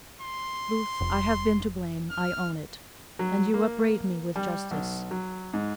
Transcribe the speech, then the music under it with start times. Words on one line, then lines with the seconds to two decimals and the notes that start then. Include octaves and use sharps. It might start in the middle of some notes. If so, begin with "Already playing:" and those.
Booth, I have been to blame, I own it; and you upbraid me with justice.
0.21 C6
1.00 F1
2.11 F6
3.19 F#3
3.54 A#3
4.36 G3
4.71 B1
5.11 F#3
5.54 G#2